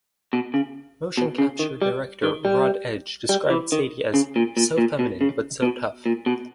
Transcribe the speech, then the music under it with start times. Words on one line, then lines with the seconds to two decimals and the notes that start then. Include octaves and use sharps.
Motion capture director Rod Edge described Sadie as "so feminine but so tough".
0.33 B2
0.54 C#3
1.17 B2
1.38 C#3
1.59 D#3
1.82 G3
2.24 D#3
2.45 G3
3.29 G3
3.50 E3
3.72 D#3
4.14 C#3
4.36 A#2
4.57 A#2
4.78 A#2
4.99 B2
5.21 C#3
5.62 B2
6.06 A#2
6.26 B2